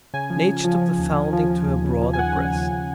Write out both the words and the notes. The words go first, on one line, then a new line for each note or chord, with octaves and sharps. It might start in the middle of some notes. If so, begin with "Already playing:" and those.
Nature took the foundling to her broader breast.
C#3 G#5
F3
C#3
F3
F3
D#2
F3
F3
F3
D#2
C#3
F3
G#5
D#2 F#5
C#3 F#5
D#2 G#5
D#2